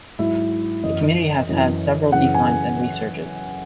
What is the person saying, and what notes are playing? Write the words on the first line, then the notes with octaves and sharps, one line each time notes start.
The community has had several declines and resurges.
G#2 F#3 E4
F#2 E3 D#5
F#2 E3
F#2 C#3 E3 F#5
G#5